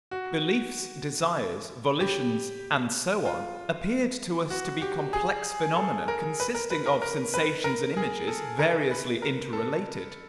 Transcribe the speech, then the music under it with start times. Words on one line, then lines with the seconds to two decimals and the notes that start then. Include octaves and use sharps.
Beliefs, desires, volitions, and so on, appeared to us to be complex phenomena consisting of sensations and images variously interrelated.
0.11 F#4
2.00 G4
3.25 F4
4.50 F#4
4.82 G4
5.13 G#4
5.76 A4
6.08 A#4
6.40 B4
6.55 A#4
6.70 B4
6.86 A#4
7.02 A#4
7.34 B4
7.64 A#4
7.97 G#4
8.28 A4
8.59 A#4
8.91 B4
9.22 A#4
9.53 A4